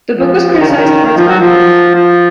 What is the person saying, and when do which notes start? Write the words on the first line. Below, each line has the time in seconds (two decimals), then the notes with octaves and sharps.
The book was criticized for its content.
0.15 F3
0.61 D#3
0.68 C#3
0.76 D#3
1.05 D#3
1.17 F3
1.28 F#3
1.40 F3
1.95 F3